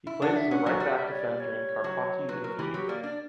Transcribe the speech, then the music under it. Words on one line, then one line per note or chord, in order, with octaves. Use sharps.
He plays as a right back defender in Karpaty Lviv.
E4
D4 F#5
E5
C#4 F#5
F#3
G3
E5
D5
C#5
D5
C#5
F#3
F#3 B4
F#3 A#4
E3 G4
F#3 G4
A#3 D5
D4 D5